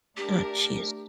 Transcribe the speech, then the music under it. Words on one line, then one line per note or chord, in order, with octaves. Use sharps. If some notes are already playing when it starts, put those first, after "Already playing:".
Ah, jeez.
A3 D4 G4 A#4